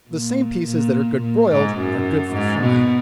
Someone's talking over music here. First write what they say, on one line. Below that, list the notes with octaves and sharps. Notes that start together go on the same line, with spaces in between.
The same pieces that are good broiled are good for frying.
A#2
A#2
A#2
G#2
F#2
G#2
B2